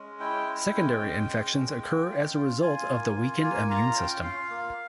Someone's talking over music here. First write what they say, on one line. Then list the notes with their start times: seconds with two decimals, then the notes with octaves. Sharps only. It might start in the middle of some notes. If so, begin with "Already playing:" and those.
Secondary infections occur as a result of the weakened immune system.
Already playing: G#3 C#4
0.20 E4 G5
0.47 C#4
0.74 G#3
1.01 C#4
1.27 G#3
1.54 G#3
1.81 A#3
2.08 C#4
2.35 F4
2.62 F4 G#5
2.88 A#3
3.16 F4
3.42 A#3 G#5
3.70 F4 A#5
3.96 C#4 G5
4.23 F4 F5
4.50 A#3